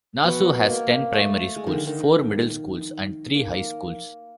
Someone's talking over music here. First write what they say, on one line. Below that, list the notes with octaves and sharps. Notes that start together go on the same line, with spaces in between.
Nasu has ten primary schools, four middle schools and three high schools.
B2 B3
A#3
A3
G#3
D#3
D3
D#3
A#3